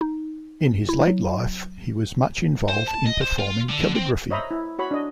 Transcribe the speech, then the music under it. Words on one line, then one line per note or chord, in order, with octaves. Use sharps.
In his late life he was much involved in performing calligraphy.
D#4
E4
F#3
C5
A5
D#5
C5
F4
D3
C4
C5 C#5 D#5 E5 A#5 B5
E4
F#4 C#5 B5
D4 D#5